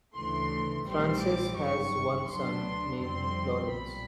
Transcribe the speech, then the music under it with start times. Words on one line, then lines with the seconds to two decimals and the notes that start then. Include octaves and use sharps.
Frances has one son, named Lawrence.
0.15 D2 C#3 E3 A3 C6
0.86 A#1 A2 E3 G3 C4 C6
1.21 D6
1.58 G1 F#2 D#3 C#6
2.28 D2 D3 F#3 B3 D4 C6
2.99 F2 D3 G3 C4 C6
3.70 B1 A#2 G3 B5